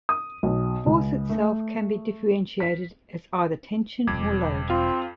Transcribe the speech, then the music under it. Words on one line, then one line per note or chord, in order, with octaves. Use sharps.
Force itself can be differentiated as either tension or load.
D#6
B1
C#2
A3
B6
E1 B1 F2 G3 D6 G#6
C4 F4